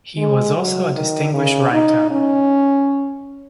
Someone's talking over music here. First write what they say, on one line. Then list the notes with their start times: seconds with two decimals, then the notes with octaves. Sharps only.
He was also a distinguished writer.
0.18 G#3
0.57 F#3
0.95 D#3
1.34 C#3
1.72 D#4
2.11 C#4